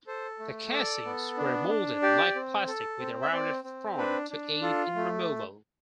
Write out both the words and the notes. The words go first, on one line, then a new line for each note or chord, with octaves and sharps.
The casings were molded black plastic with a rounded front to aid in removal.
A4 C5
A3
A4 D5
B3
D4
D4
G4 D5
C4
A4
C4
E5
C4 D5
C4
D4 B4
D4
F4 A4
A3